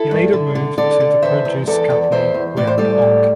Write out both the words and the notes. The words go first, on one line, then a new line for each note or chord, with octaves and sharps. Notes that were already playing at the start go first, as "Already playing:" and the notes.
He later moved to the produce company Wyer and Hawke.
Already playing: E4 A4
G2
D3
D3
D3 A4 D5
D3
E2 C5 E5
E2
E2 A4 D5
E2
E2 C5 E5
E2
A2 D5
C5
G3 A4 D5
A2